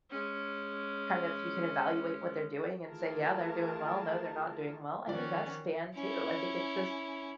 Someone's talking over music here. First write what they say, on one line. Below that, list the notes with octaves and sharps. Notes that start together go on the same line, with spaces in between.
kind of, you can evaluate what they're doing and say, "Yeah, they're doing well, no, they're not doing well," I think that's fan too. I think it's just
G#3 C#4
E3 A3 F4 G#4 A#4 A5
D#3 F3 C#4 F#4 D5
C#4 E4